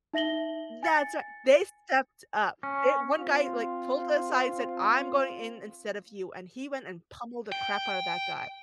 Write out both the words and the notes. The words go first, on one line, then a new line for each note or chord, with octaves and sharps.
That's ri they stepped up. They one guy, like, pulled aside and said, "I'm going in instead of you." And he went and pummeled the crap out of that guy.
D#4 E5 A#6 F#7 G7
G#5 A6 C#7
C#4
C4 F4
G5